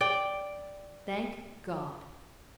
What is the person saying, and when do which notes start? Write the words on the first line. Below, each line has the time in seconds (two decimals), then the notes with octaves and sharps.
Thank God!
0.01 D5 G5